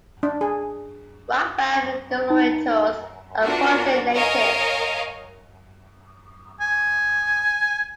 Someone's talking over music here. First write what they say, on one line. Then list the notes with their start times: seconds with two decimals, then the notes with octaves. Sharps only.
Rock band the Delorentos are Portrane natives.
0.23 D4
0.41 G#4
2.30 D#4
3.43 B3 D4 F4 F#4 A#4
4.15 A#4 C#5 D#5 F5 G#5
6.61 G#5